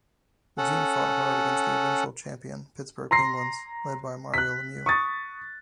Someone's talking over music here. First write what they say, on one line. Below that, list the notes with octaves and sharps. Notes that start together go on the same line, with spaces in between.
The team fought hard against the eventual champion Pittsburgh Penguins, led by Mario Lemieux.
C#4 A4 F#5
A#5 C6 A#6 C7
F#6 B6
C#6 D#6 A6